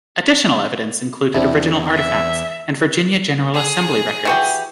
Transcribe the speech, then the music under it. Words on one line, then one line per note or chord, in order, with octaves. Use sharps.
Additional evidence included original artifacts and Virginia General Assembly records.
E2 C4 D4 E4
E5
G#4
E3 F#4 G4